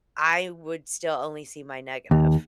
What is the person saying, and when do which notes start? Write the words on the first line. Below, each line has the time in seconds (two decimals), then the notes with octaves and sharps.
I would still only see my negative.
2.11 D#2